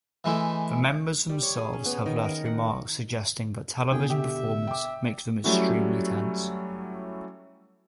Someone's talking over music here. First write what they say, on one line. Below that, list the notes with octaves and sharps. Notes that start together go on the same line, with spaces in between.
The members themselves have left remarks suggesting that television performances make them extremely tense.
E3 G#3 A3 E4
G3
C#5
G#4
C#4
B3
D#3
A#4
F#5
B2 D3 G#4 G5
G4 E5
G5 D6
F#3 G3 A3 C#4 E4 F#4